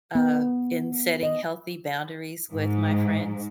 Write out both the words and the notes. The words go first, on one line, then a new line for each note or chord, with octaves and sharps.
uh, in setting healthy boundaries with my friends.
B3
D#5
G#2